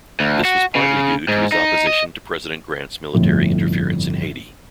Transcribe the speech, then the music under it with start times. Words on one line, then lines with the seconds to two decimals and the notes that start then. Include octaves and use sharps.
This was partly due to his opposition to President Grant's military interference in Haiti.
0.20 D2
0.45 F#4
0.75 C#3
1.28 G#2
1.52 D#4
1.87 D#5
3.13 G1 F2 A2